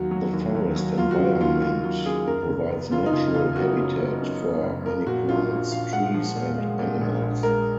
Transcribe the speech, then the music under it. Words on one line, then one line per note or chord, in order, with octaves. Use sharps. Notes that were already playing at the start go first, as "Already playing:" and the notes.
The forest environment provides natural habitat for many plants, trees, and animals.
Already playing: D#2 F#3 F#4
F#3
D#2
D#2
F#3
F#3 F4
F#4
C#3 F4
D#2 F4
D#2 F4
F#3 F4
C#3 G#4
F#2 A#4
F#1
B3
F#1 F4
D#4
F#1 F4
F#1 F4
B3 F#4
F#1
B3
F#2
B3
F#1
F3 A#4
A#2 F#4
A#1 F4
A#1
A#1 F5
G#3 F#5
F3
A#2
G#3
A#2
A#1
A#1
G#3 A#4